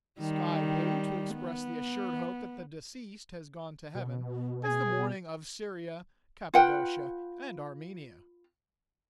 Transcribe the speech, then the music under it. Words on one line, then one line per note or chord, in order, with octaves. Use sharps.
Sky-blue, to express the assured hope that the deceased has gone to heaven, is the mourning of Syria, Cappadocia, and Armenia.
D#3 G3
B3
B2
G#4 G#5
F4 B4 F#5 G5